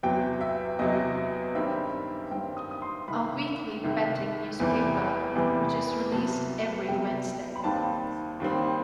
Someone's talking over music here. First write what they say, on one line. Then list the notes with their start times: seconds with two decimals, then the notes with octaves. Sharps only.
A weekly betting newspaper which is released every Wednesday.
0.03 E2 C3 F#3 G5
0.41 E5
0.79 E2 C3 F#3 D#5
1.55 G2 D#3 G3 C4 E5
2.31 G2 D#3 G3 C4 G5
2.57 D#6
2.71 D#6
2.82 C6
3.08 C2 C3 D#3 B5
3.83 C2 C3 D#3
4.60 E2 C3 E3 G3
5.36 E2 C3 E3 G3
6.12 C2 C3 F#3 B3 A5
6.88 C2 C3 F#3 B3 G5
7.56 B5
7.64 D#2 D#3 G3 C4 A5
8.40 D#2 D#3 G3 C4